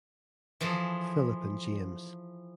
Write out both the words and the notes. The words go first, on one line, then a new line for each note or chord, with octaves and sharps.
Philip and James.
E3 F3 G#4 A4